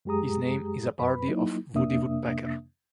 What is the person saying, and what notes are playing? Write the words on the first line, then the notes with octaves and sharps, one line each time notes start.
His name is a parody of Woody Woodpecker.
F#2 G#3 G4 G#4 A#5 D#6
F#2 B4 B5
F#3 A#3 D#4 E4
F2 C3 A#3 D4 E5 D#6